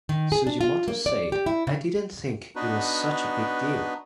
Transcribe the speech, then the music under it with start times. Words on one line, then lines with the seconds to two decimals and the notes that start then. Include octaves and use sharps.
Sugimoto said, I didn't think it was such a big deal.
0.09 D#3
0.32 G#4
0.47 D4
0.61 F4
0.88 A#3
1.06 D5
1.32 G4
1.46 E4
1.67 C#3
2.56 B3 D4 D#4 F#4 B4